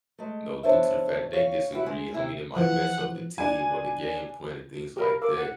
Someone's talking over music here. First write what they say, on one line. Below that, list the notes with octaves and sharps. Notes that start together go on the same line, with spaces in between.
you know, due to the fact that they disagree, I mean, it might mess up the team or the game plan and things like that.
G#3 A3
E2 D4 C5 C#5 E5
C#5 F5
E4 F#4 G4
G#3 G#4
C3 E4
E3 F3 F#5
D4 G#5
G4 A#4 F5 B5
A#4 F5 D6 E6
F#5